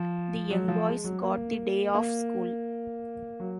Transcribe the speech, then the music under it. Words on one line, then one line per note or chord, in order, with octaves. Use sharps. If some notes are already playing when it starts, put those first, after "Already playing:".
The young boys got the day off school.
Already playing: F3
F#3
F3
G#3
F#3
A#3
A#3
F#3